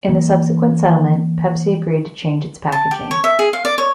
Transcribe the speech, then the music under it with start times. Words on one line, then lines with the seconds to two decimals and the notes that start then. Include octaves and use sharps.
In the subsequent settlement Pepsi agreed to change its packaging.
0.09 E3 A#3
2.72 A5
2.91 G4
3.11 C#5
3.24 E5
3.39 G#4
3.53 F5
3.65 D5
3.78 C#5